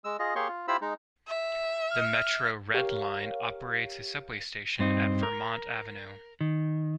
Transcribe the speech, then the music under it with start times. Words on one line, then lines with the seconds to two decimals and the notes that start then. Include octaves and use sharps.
The Metro Red Line operates a subway station at Vermont Avenue.
0.04 G#3 E6
0.19 F4 G#4 D#5
0.35 A#3 G4 G#4 C#5 C6 C#6
0.48 F4
0.68 E4 F4 G4 C5 B5 E6
0.81 G#3 D#4
1.27 E5
1.91 F6
2.74 G4 A#4 C#5 F5
4.79 G2 C4 D#4
5.23 A#4
6.41 D#3